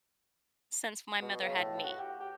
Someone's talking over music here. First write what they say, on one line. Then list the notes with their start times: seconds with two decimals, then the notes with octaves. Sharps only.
since my mother had me,
1.22 B2
1.41 C#3
1.56 A2
1.84 F#4
1.98 G4
2.20 G4